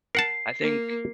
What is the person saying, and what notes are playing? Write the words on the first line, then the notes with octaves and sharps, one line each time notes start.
I think th
A#4 F#5 A5 C7
A#3